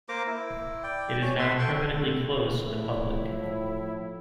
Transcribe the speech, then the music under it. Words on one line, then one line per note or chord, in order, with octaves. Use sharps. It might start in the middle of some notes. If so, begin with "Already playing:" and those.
It is now permanently closed to the public.
A#3 C5 A#5 D6
E4
D5 G5
C#5 G#5
C5 E5 F#5 C6
A4 G5 C6 C#6
A2 F3 E4